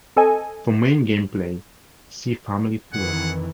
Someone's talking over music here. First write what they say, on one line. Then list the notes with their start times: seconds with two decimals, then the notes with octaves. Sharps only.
For main game play, see Family Feud.
0.17 C4 A4 D#5 G#5
2.93 F2 D#3 E3 G#4 F#5